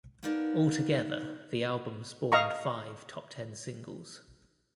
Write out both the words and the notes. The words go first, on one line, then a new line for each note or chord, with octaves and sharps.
Altogether the album spawned five top-ten singles.
A#3 B3 D#4 A#4 D5 A5
D#5 F5 A#5 C#6